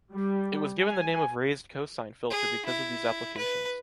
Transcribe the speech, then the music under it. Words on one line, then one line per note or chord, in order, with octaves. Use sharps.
It was given the name of raised-cosine filter because of these applications.
G3
G#5
G#4
E4
B4